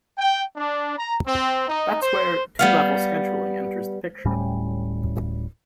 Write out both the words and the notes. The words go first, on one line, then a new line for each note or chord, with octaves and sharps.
That is where two-level scheduling enters the picture.
G5
D4
A#5
C4
D#4
C5
G3 B3 F5
D1 A2 G3 C#4